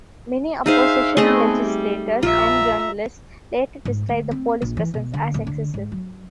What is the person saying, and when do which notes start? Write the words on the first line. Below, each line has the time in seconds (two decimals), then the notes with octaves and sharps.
Many opposition legislators and journalists later described the police presence as excessive.
0.66 D#4 G#4 C5 E5 F5
1.17 A3 B3 C4 G#4 D#5
1.63 G3
2.23 A#1 F4 E5 A#5
3.85 G#2
4.09 D2
4.31 C4
4.62 A#1
4.77 E3
4.94 B2
5.14 D3
5.34 D1
5.47 D3
5.74 G#2
5.92 F#3